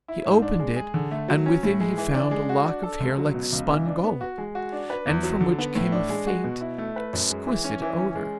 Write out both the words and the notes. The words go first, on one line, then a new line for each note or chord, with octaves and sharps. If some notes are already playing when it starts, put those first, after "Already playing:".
He opened it, and within he found a lock of hair like spun gold, and from which came a faint, exquisite odour.
E4
G#2
D4
G#3
G#4
D3
A3
F#3
C#4
A2
G#3
E3
D4
G#3
F#4
D4
A4
C#2
F#3
B2
C#2
E3
D4
B3
F#4
G#3
F#4
D4
B4
E2
F#3
D3
B3
A2
D4
G#3
F#4
B2
E4
A3
B4
F#2
G#3
E3
C#4
E3
C#4
G#3